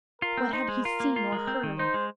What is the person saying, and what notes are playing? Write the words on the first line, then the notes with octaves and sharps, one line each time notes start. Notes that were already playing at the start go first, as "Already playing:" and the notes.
What had he seen or heard?
F4 A#4
C4
D#4 C5
G#3
F4 A#4
A#3
F4
G#3
C4
D#3
D#4 C5
G#3